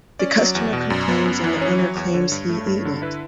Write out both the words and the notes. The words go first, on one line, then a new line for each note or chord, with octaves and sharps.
The customer complains and the owner claims he ate it.
C#4 D5
F#3
E2
B2
F#2
B3
F#2
E3
C#4 C#5
F#3
E2
D3
G2
A3
G2
D3
E4 B4